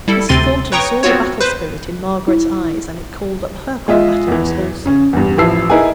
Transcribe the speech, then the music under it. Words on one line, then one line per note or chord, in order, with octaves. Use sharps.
Mrs. Thornton saw the battle-spirit in Margaret's eyes, and it called up her combativeness also.
G3 E4 A4
D2 C3 C4 C6 A6 D#7
B4 C#5 G5 A#5 C#6 D#6
B3 C4 F4 F#4 C#5
B4 C5
E4
G#3 F4 D#5 E5
E2 E3
C#3 C#4
E2 G2
A1 E3 F3 A5 E6 C7
D#4 E4 G#4 A#4 B4 G#5